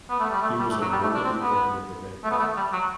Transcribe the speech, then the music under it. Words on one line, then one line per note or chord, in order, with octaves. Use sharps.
He was awarded the Order of the Red Banner.
B3
A3
G3
A3
G3
A3
F#3
G3
A3
D4
C4
B3
A3
B3
A3
G3
F#3